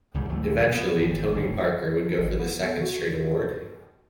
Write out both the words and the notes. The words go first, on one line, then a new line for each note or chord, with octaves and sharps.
Eventually, Tony Parker would go for the second straight award.
C2 G#2 C#3 G3
A1 D2 F#3 A3
B3
G#1
D1
G#1
B3
A4
F#4